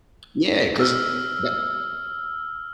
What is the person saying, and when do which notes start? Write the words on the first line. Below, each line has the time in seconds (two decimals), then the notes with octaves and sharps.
Yeah, 'cause Yep.
0.80 E6 F6